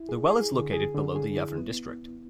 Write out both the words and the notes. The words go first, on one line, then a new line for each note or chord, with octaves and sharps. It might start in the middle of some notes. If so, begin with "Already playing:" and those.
The well is located below the Yaren district.
Already playing: E4
G#4
G#4
D3
G#4
D3
G#4
E4
B3